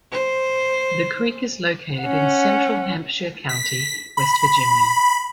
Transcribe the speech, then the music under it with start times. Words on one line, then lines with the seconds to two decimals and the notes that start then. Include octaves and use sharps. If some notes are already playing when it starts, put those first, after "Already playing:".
The creek is located in central Hampshire County, West Virginia.
0.12 C5
2.02 C#4 F#5
3.49 B6
4.17 B5